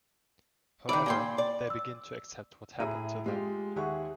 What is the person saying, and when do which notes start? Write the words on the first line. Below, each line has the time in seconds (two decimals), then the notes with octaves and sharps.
However, they begin to accept what happened to them.
0.89 D#3 D5 B5 D6
1.06 A#2 G5 C6
1.38 D5
1.70 E6
2.80 A2 E4 G#4 A#5 D#7
3.26 G#3 F4 G4
3.76 D#2 G4 G#4 E5 F#5 C#6